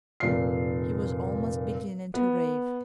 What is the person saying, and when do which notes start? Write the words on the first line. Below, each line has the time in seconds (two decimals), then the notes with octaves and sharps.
He was almost beginning to rave....
0.20 F1 A#2 C7
2.14 B3